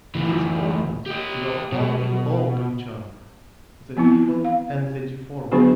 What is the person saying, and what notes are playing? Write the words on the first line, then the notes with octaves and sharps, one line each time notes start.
These orphans were all in all to each other, the feeble and the deformed.
D2 E3
G4 D#5
B2
F3 B3 C4 E4
F5
D3 F#3 B3 D4 F#4 G#4